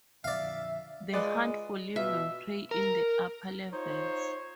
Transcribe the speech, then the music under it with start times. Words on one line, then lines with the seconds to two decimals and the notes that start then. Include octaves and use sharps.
They hunt for living prey in the upper levels.
0.24 F2 A#2 D3 D5 E5 F5
1.13 G#3 F4 B4 D5
1.96 B2 F4 E5
2.71 A#4
3.73 D#4 F4 C5 C#5